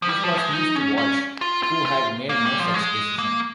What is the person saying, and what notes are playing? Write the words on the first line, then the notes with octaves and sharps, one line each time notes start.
This was news to Walsh, who had made no such decision.
F3
G3
F3
G#3
D#4
C#4
C#4
F4
F4
F4
A#3
G3
F3
G#3
A#3